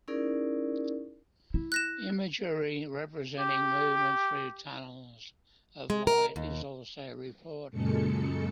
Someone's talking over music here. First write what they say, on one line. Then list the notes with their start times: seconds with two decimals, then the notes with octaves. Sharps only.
Imagery representing movement through tunnels of light is also reported.
0.08 C#4 D#4 E4 G#4 A#4 D5
1.54 E4
1.72 F#6 A#6 E7
3.40 G4
5.90 G#3
6.07 A#4
6.36 D#2
7.71 F#2 A#2 C#3 G#3 A4 C#7